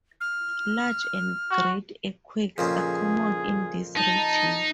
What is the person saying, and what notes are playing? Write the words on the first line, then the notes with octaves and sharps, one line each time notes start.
Large and great earthquakes are common in this region.
F6
F#4
F2 A#2 C#3 G#4
D#4 A5